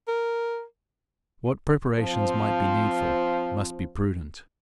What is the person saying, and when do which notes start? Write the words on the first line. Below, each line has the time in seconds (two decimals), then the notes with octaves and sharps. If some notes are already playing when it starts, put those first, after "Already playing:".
What preparations might be needful, must be prudent.
0.08 A#4
1.99 F3 C4 F4